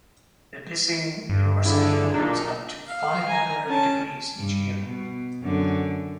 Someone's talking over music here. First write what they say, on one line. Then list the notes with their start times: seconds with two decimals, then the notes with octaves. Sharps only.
Nipissing University awards up to five honorary degrees each year.
1.29 G2
1.66 F2 A2 D3 E4 G#4
2.14 B1 A#2 D4 D#4
2.88 F5
3.28 G#5 A#5
3.66 C#4 A5
4.36 G2
4.86 B2
5.42 F#2 D3